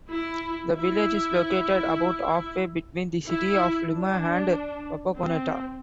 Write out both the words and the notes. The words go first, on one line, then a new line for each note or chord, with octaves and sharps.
The village is located about halfway between the cities of Lima and Wapakoneta.
E4
E4
E4
D4
C4